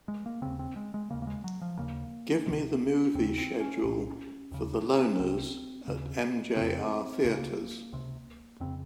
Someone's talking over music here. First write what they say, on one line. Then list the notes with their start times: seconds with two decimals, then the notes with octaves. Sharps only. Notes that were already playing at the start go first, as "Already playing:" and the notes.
Give me the movie schedule for The Loners at MJR Theatres.
0.08 G#3
0.26 A#3
0.42 D#2 C#3 C4
0.59 C4
0.76 G#3
0.94 G#3
1.10 C#3 A#3
1.14 D#2
1.22 A#3
1.27 G#3
1.44 F#3
1.61 F3
1.78 D#2 C#3 A#3
2.46 C#2 C3
3.15 D#2 C#3 C4
3.38 C4
3.60 C#4
3.83 C2 A#2
4.51 D#2 C#3
5.19 C2 C3 C4
5.88 D#2 C#3
6.56 F2 C#3 C4
7.24 C#2 C#3 A#3
7.92 C#2 C3
8.60 F2 C#3 C4